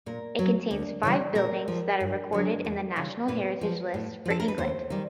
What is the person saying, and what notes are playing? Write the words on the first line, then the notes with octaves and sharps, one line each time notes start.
It contains five buildings that are recorded in the National Heritage List for England.
A#2 A#4
F#3
D2
C#3 E3 G3
A#2 A#4
F3
G2
D3 F#3
E2
C#3 E3 G3
A#2 B4
F3
A2
F3 A4
A#4
B4
D#2 C5
D#3 G3